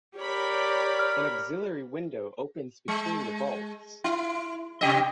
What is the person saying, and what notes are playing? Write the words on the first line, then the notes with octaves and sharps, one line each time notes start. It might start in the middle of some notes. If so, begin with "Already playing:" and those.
An auxiliary window opens between the vaults.
G4 A#4 C#5 D5 B5
F6
G#3
E4
C3 G4 D#5